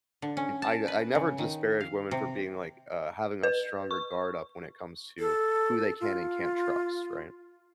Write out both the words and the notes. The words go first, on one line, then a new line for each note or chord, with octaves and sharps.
I I I never disparage women for being, like, uh having a stronger guard up when it comes to, who they can and can't trust, right?
D3
C#4
A5
B4
C#3
D#3
F5
C3
B4
C#6
A4
F4